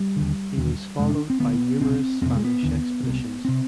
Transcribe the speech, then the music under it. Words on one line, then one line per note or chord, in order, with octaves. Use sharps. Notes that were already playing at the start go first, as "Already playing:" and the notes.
He was followed by numerous Spanish expeditions.
Already playing: G3
D#2 D3
D#2 D3
F2 C3 G#3
D4
C4
D2 D3 B3
C2 B2 C4
F2 C3 B3 C4
G#3
B3
D#2 D3
C2 C3
C3 C4